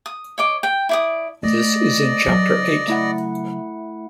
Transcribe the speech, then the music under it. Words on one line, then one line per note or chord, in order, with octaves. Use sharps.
This is in Chapter Eight.
D#6
C#5 D#5 D6
G5
E4 D5 D#6
A3 D5 D#5
C#3 F#3
A3 E4 F#5